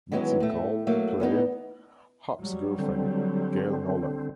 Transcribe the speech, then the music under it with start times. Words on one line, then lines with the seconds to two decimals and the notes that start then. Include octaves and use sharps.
Mitzi Gould played Hop's girlfriend, Gail Nolan.
0.12 D#3 E3 F#3 G#3 B3 C#4
0.40 A2 A3
0.87 F#3 A3 A#3
1.20 E2 E3 B3 D#4
2.38 F#3 G3
2.79 D3 C4